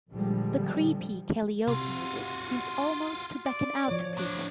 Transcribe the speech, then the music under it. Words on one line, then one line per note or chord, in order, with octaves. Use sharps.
The creepy calliope music seems almost to beckon out to people.
A#1 D3 F3 G3 G#3
C3 F4 F#4
D5
F3 C#5
A2 D4